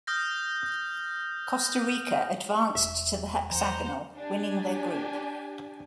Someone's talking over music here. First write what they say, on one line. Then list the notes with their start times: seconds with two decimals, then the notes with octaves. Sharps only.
Costa Rica advanced to the hexagonal winning their group.
0.07 D#6 F6 G6 A#6
2.75 E1 E5
3.51 E2 F3 C5 F#5 A#5
4.17 D4 G4 G#5